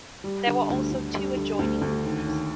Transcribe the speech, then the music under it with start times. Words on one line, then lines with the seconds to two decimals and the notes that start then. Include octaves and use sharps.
There were also two adjoining rooms.
0.24 G3
0.47 D3
0.70 D2
0.91 D3
1.15 G3
1.36 D3
1.59 D2
1.82 D2
2.05 D#2
2.27 D#2